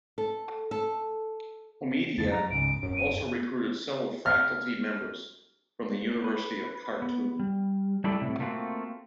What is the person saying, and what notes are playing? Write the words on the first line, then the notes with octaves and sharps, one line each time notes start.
Homeida also recruited several faculty members from the University of Khartoum.
A4
A4
F2 D3 A6
F#2 A#5
C#2 G#2 C#3 D7
D#1 F#2 C#4
D#7
F6
B4
B3
G3
G3 A3 D4 E4 A4 D5
A2 C3 E4
A3 A#3 C4 F4 F#4